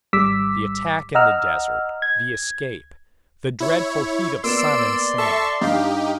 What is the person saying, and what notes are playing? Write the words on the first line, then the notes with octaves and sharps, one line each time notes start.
The attack in the desert, the escape, the dreadful heat of sun and sand.
G#1 G3 D6 E6 B6
D#5 F#5 A#5 E6 F6
G#6
E4 C#5
A#3 B3 D5 C6 E6 D7 E7
A4 E5 A5 C#6
G2 D#4 G4 F5